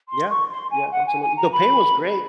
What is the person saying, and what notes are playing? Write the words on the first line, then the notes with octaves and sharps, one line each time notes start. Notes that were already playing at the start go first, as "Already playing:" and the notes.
Yeah, yeah, absolutely, the pay was great,
C6
C#6
C6
G#5
F#5
G#5
G#5
A#5
B5